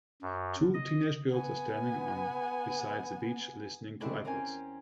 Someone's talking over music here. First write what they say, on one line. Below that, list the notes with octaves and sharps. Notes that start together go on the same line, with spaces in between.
Two teenage girls are standing on beside the beach listening to ipods.
F#2
D#5
B3 G#5
E2 A2 D3 G#3 C4 E4
E2 C4 C#4 A#4 F5 G#5